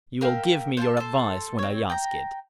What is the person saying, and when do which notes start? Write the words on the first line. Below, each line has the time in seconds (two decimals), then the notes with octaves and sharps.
You will give me your advice when I ask it.
0.21 A#4 E5 F5 G5
0.77 C5 F5 G5 A5
0.97 A4 C5
1.59 C4 C#5
1.90 G5 A#5